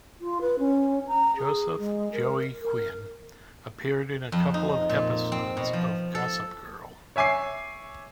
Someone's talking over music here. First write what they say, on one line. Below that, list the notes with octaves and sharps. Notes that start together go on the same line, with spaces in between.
Joseph "Joey" Quinn and appeared in a couple of episodes of "Gossip Girl".
F4
B4
C#4
A#5
G#4
G#3
A#4
A#4
F2
D#4
A#2
C4
B2
F3
A4
C#5 E5 G#5 D6 C7